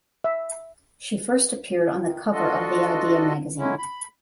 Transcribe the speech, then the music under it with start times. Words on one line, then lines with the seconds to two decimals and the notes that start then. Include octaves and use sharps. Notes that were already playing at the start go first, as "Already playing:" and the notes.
She first appeared on cover of the Idea Magazine.
0.24 E5
1.98 D#3
2.32 D4 F4 F#4 A4 D#5
3.58 D3 F#3 G#3 C#4 E4
3.78 B5